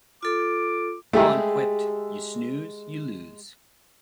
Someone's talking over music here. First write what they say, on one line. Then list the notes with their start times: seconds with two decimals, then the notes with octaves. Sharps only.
Holland quipped, You snooze, you lose.
0.23 F4 A4 D6
1.13 G#3 A3 E4 G4 G#4